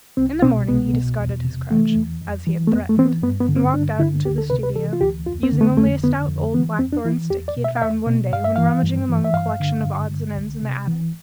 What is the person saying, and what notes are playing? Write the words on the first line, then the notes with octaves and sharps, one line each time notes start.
In the morning he discarded his crutch, as he had threatened, and walked out to the studio, using only a stout old blackthorn stick he had found one day when rummaging among a collection of odds and ends in the attic.
C2 C4
B2 C4
C2 B3
B2
E2
C3
E3 A3
E2
F2
E3
A3
F2 B3
A3
E3 C4
B3
G2 B3
B3
D3
C4
G2 D4
D3 E4
D2 G4
A4
C3 B4
B4
E3 A4
F4
D2 G4
F2 F4
C4
D3
A3
F2 A3
D3 B3
F2
E3 B3
F2 C4
D4
E3 E4
E2 G4
D5
B2
E5
F5
E2 E5
B2
G2 F5
E5
E3 F5
G2
E3
E5
G2 F5
D3
G2
D3
C2
C3
E3